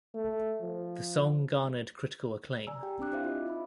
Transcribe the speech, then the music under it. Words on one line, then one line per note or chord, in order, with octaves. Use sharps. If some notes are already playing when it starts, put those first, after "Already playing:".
The song garnered critical acclaim.
A3
F3
D5 G#5 A#5 E6
G4 G5
C4 D4 G4 D6 F#6
E4 C5 E5 F5
F4 D#5
D#4 E5 B5